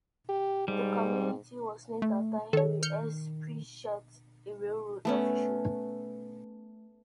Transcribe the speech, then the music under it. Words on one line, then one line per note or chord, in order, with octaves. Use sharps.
The community was named after Henry S. Pritchett, a railroad official.
G4
G#2 G3
A3
D#3 A4 C#5
F6 G6 C#7
A3 B3 C#4